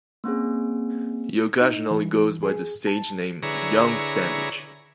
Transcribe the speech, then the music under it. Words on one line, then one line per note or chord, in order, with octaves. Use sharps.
He occasionally goes by the stage name Young Sandwich.
A#3 C4 C#4 G#4
D#4
E3
G#4
A5
D3 E4 G#4 B4 C#5 A#5